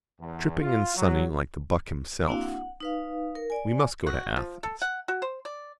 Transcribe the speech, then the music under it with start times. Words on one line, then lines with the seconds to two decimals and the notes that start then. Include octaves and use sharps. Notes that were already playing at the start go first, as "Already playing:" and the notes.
Tripping and sunny like the buck himself. We must go to Athens.
0.21 E2
0.61 F4
0.97 F#3
2.27 A#3 C4 D4 E4 F#4 F5
2.41 F#5
2.80 D#4 B4 F5
3.35 A#4
3.50 D5 G#5
4.07 F#4
4.36 F3
4.63 A4
4.82 F#5
5.08 F#4
5.22 C5
5.45 D5